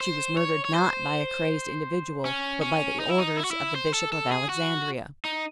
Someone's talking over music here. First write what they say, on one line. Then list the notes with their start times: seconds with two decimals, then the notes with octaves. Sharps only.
She was murdered not by a crazed individual but by the orders of the bishop of Alexandria.
0.01 C5
0.37 C#5
0.65 C#5
0.74 C5
2.25 C#4
2.62 C#4
3.00 D#4
3.09 E4
3.19 D#4
3.37 E4
3.44 F#4
3.51 E4
3.75 C5
3.94 A4
4.13 A4
4.32 G#4
4.49 F#4
5.25 D#4